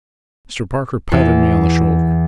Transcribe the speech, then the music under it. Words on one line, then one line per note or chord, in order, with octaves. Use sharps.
Mr. Parker patted me on the shoulder.
E2